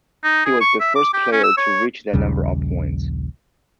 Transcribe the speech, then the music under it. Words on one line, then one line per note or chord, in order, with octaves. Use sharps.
He was the first player to reach that number of points.
D#4
G#4
C#6
E5
D6
G4
C#4
E6
C#5
A#1 D#2 C#3 G3